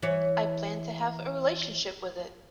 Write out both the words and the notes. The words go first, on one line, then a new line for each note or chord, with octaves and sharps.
I plan to have a relationship with it.
E3 C#5